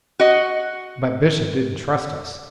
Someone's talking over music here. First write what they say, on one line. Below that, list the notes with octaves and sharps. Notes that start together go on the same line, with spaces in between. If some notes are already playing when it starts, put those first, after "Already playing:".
But Bishop didn't trust us.
F#4 D#5